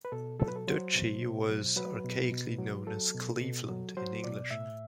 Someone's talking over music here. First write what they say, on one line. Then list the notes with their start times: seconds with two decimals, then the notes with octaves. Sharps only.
The Duchy was archaically known as "Cleveland" in English.
0.05 B4
0.12 B2 A4
0.39 F#3 A4
0.48 B4
0.56 A4
0.67 F#3 C5
0.95 B2
1.22 B2
1.49 F#3
1.77 F#3 B4
2.04 B2
2.32 B2
2.59 F#3
2.87 F#3 A4
3.15 B2
3.41 B2
3.69 F#3
3.97 F#3 C5
4.24 B2 D5
4.51 A2 E5